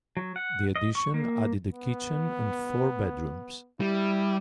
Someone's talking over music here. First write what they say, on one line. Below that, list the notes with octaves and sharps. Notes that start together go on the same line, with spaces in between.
The addition added a kitchen and four bedrooms.
F#3
F#5
D#5
C#6
A#3
B3
G3 E4